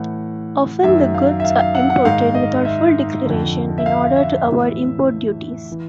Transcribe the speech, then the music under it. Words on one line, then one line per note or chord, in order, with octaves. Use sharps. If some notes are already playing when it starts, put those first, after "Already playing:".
Often the goods are imported without full declaration in order to avoid import duties.
Already playing: A2 E3 F#5
F#2 D#3 E5
F5
E5
F5
F5
F#5
F#5
G#2 D#3 F5
D#5
E5
F2 D3
E5
F5
F5
E5
A2 E3
E3